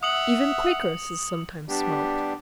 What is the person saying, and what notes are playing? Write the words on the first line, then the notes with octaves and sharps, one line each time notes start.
Even Quakeresses sometimes smoked.
E5 F#5 D#6 C#7 F#7
G3 B3 D4 G4